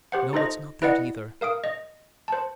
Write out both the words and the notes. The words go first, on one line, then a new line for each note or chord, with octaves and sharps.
No, it's not that either.
G4 C5 F#5
D#4 F4 A4 C5 D#5
E4 B4 D5 D#5 F#5
A#4 F5 D#6 D7
D#5
C5 A5